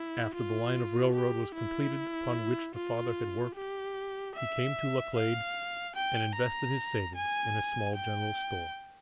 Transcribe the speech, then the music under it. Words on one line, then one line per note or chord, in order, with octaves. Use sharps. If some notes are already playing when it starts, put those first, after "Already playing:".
After the line of railroad was completed upon which the father had worked, he came to Laclede and invested his savings in a small general store.
Already playing: E4
F4
G4
E4
F4
G4
E5
F5
G5
A#5
G#5
G5